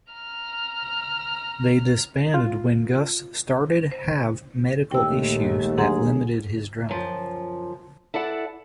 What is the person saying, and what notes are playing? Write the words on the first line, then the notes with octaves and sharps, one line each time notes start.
They disbanded when Gus started have medical issues that limited his drumming.
A#5 F6
F4
C5
A#1 D#2 G#3 A3 G5 E6
D3 F#3 G#4 F#5 A#5 C6
F#2 F3
E4 A4 D5 F#5